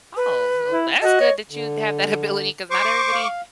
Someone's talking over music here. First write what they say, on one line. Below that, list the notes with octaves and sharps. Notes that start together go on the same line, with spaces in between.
Oh, well that's good that you'd have that ability, 'cause not everybody
B4
E4
F#4 D#5
C#5
D3
C5 C#6 D6
F5